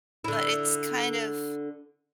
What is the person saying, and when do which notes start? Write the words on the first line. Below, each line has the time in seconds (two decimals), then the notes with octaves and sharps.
but it's kind of
0.24 D3 E4